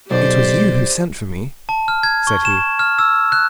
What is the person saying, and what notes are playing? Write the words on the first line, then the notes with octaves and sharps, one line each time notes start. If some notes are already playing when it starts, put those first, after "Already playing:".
"It was you who sent for me," said he.
B1 G4 C5 D5
A5
F6
G#6
C#6
E7
F6
E6
F#6